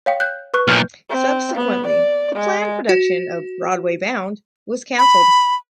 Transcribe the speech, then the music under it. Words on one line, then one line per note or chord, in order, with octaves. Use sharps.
Subsequently, the planned production of "Broadway Bound" was cancelled.
C#5 F5 G5
F#6 G6
B4 C#6 F#6
B1 A#2 F6 G6
C4
B3
D5
G#3
F#4
B5